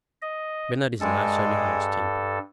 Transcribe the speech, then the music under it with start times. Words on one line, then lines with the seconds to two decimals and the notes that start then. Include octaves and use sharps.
"Bernard is naturally hot tempered."
0.22 D#5
1.01 G2 G#3 A4